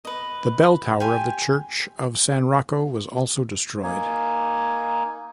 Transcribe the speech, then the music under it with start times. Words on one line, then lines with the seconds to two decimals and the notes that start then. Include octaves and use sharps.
The bell tower of the church of San Rocco was also destroyed.
0.05 B4 D#5
1.00 G4 F5 G#5 C6
3.83 A#3 D#4 G#5